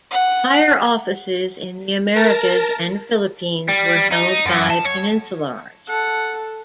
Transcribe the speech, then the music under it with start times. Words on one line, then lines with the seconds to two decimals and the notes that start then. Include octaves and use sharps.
Higher offices in the Americas and Philippines were held by "peninsulares".
0.11 F#5
2.16 A#4 A5 A#6
3.68 G3
4.11 D#4
4.46 F#2
4.70 A5
4.85 C#5
5.89 A4 F#5